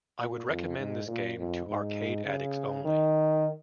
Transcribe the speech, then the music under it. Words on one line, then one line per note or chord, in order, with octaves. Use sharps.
I would recommend this game to arcade addicts only.
A#2
F2
G#2
A#2
F2
G#2
C#3
D#3